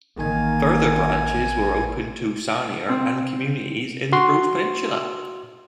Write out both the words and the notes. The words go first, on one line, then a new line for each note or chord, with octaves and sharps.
Further branches were opened to Sarnia and communities in the Bruce Peninsula.
A1 D#3 A#3 G#5 G#6
C4
F#4 C6